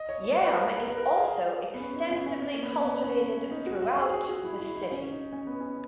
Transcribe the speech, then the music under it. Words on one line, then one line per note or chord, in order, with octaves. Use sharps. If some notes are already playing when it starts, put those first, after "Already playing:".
Yam is also extensively cultivated throughout the city.
Already playing: D#5
C#5
C#5
B4
A#4
B4
A#4
B4
A#4
G#4
B3
C#4
D#4
C#4
C#4
C#4
A#3
B3
A#3
B3
C#4
D#4
F#4
F#4
G#4
G#4
F#4
E4
E4
D#4
C#4
D#4
C#4
B3
C#4